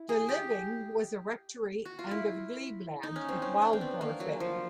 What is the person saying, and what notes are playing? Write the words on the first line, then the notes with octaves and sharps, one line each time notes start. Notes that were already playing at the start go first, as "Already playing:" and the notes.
The living was a rectory and of glebe land at Wildmoor Fen.
Already playing: E4
G#4
G4
F#4
F4
E4
D#4
C#4
C4
C#4
D4
C4
B3
A#3
F#3
F3